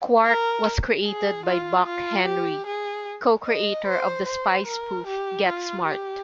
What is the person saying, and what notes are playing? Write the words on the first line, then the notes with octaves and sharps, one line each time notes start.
"Quark" was created by Buck Henry, co-creator of the spy spoof "Get Smart".
A#4
G#4
F4
F4
G4
G#4
D#5
C5
C5
A#4
G4
F4
G4